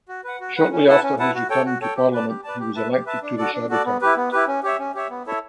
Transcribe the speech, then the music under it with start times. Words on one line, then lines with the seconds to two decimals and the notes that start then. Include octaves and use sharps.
Shortly after his return to Parliament, he was elected to the shadow cabinet.
0.09 F#4
0.24 B4 F#5
0.40 F#4
0.56 B4 F#5
0.71 C#4
0.87 E4 B4 F#5 A5
1.03 C#4
1.19 E4 B4 F#5 A5
1.35 F#4
1.50 A4 C#5 G5
1.66 F#4
1.81 A4 C#5 G5
1.97 G4
2.13 B4 D5 A5
2.28 G4
2.44 B4 D5 A5
2.60 G4
2.76 B4 E5 A5
2.91 G4
3.06 B4 E5 A5
3.23 D4
3.38 F#4 A4 D5
3.54 D4
3.69 F#4 A4 D5
3.85 B3
4.01 E4 G4 B4
4.17 B3
4.32 E4 G4 B4
4.47 C#4
4.63 G4 C#5 E5
4.79 C#4
4.95 G4 C#5 E5
5.10 B3
5.26 E4 A4 C#5 E5